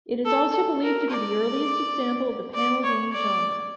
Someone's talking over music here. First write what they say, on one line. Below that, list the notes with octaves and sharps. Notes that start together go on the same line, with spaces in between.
It is also believed to be the earliest example of the panel game genre.
A4
A4
A#4
D5
D5
C#5
D5